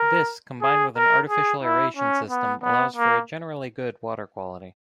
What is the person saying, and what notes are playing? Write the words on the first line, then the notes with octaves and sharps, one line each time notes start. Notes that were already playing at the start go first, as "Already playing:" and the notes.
This combined with an artificial aeration system allows for a generally good water quality.
Already playing: A#4
G#4
A#4
G#4
E4
C#4
B3
B3
A#3